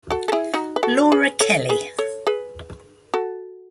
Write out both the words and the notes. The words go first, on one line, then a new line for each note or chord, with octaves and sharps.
Laura Kelly.
F#4 A4
A4
E4 G#4
D#4 F#4
B4
F#4 A4
G#4 B4
A4 C#5
G#4 B4
A4 C#5
G#4 B4
F#4 A4